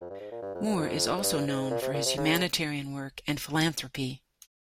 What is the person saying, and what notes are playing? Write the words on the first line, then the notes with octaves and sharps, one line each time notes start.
Moore is also known for his humanitarian work and philanthropy.
F2
G2
G#2
A#2
G2
F2
G2
F2
G#2
G2
G#2
A#2
C3
A#2
C3
C#3